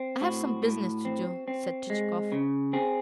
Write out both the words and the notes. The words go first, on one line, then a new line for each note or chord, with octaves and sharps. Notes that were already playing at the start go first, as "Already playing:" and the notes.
"I have some business to do," said Chichikov.
Already playing: C4
A2 F#4
A2
C4
C4
G#3
C#3
C4 G#4